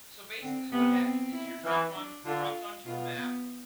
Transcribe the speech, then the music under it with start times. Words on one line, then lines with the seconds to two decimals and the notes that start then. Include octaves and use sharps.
So basically what happens is you're drop on dropped onto a map
0.42 D3 C4
0.72 C3 B3
1.03 C4
1.33 E4
1.64 E3
1.95 D4
2.25 D3 F4
2.86 B2 F4
3.17 B3